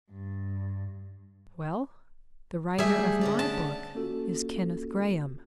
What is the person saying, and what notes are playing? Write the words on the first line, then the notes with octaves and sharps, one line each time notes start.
Well, the writer of my book is Kenneth Grahame.
G2
G3 A3 G#4 E5
D3 C#4 D5
A5
A#3 C#4 F4 F#4 A4